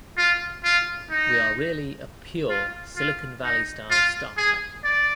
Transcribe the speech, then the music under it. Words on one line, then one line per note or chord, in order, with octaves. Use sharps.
We are really a pure Silicon Valley-style startup.
F4
F4
D#4
F4
F4
D#4
F4
G#4
D5